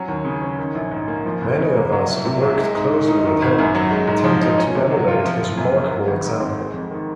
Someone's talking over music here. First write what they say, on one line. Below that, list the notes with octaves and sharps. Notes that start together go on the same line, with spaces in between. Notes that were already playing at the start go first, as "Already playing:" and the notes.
Many of us who worked closely with him attempted to emulate his remarkable example.
Already playing: F#3 C#4
D#2
C#3
C#4
D#3
A#1
G#2
A#3
F3
C#2
C#3
A#3
F#3
C2
C3
C2
G#3
G#2
D#3
D#4
D#3
G#1
F#2
F#3
G#3
G#2
F3
D#4
C#4
C3
F#3
F4
F3
F#1
F#2
A#3
F#3
G#1
G#2
C4
G#3
F2
D#3